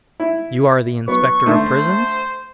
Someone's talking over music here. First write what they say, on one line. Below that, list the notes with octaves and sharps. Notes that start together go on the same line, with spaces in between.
"You are the inspector of prisons?"
E4
F#3 B3 C#6
D3 A3 C5